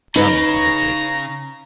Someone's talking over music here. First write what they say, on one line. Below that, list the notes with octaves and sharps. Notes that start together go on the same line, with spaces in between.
"Drums?" muttered Drake.
C#3 D#4 B4 A#5